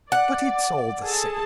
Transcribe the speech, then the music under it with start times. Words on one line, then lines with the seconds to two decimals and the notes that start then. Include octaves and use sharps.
But it's all the same.
0.12 D5 F#5
1.03 G#4 A4 A5